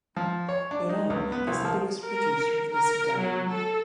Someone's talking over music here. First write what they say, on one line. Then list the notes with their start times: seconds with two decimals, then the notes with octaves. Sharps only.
Iran is the biggest producer of this gum.
0.16 F3
0.49 C#5
0.71 D4
0.89 D#4
1.10 C#2
1.32 B3
1.47 C2
1.65 F3
2.06 A#4
2.71 A#4
3.18 F#3
3.50 A4